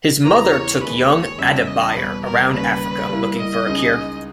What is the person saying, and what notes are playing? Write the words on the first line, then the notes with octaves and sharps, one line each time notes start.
His mother took young Adebayor around Africa looking for a cure.
E2 C#3 E3 A#3 C#4 A#5
C#5
D#2 D#3 G#3 B4
C#5
E2 C#3 G3 C#4 E5
D#5
E2 B2 G3 B3 B4
A#4
D#2 C#3 G3 B4
G3 A#3 E4
D#5
C#2 C#3 G#3 D#4